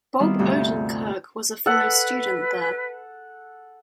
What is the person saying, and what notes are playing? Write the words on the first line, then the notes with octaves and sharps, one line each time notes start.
Bob Odenkirk was a fellow student there.
D#3 G3 B3 C4 E4 F4
D2 G2 C3 F4 G6
A4 B4 F#5